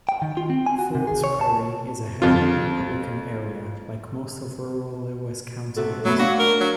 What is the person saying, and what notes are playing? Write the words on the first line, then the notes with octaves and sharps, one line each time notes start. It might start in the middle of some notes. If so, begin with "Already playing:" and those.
Fords Prairie is a heavily Republican area, like most of rural Lewis County is.
G5
D#3
F4
C4
G#5
F#4
C3
G#4
C#5
A5
F2 F4
C3 F#4 A4
F#3 A3 B3
D4 F#4 F5
A#4
F#3